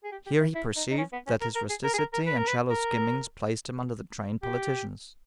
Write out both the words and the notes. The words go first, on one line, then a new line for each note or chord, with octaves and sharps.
Here he perceived that his rusticity and shallow skimmings placed him under the trained politicians.
G#4
G4
G4
E4
E4
D#4
D#4
C#4
B3
C#4
A#4
A#4
G#4
A#4
G#4
A#4
A#4
B4
A#4
B4
A#4
G4